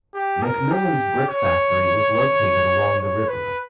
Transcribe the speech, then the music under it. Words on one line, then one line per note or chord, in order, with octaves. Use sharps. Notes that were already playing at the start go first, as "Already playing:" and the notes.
McMillan's brick factory was located along the river.
G4
A#4
G4
C#5
C#5
B4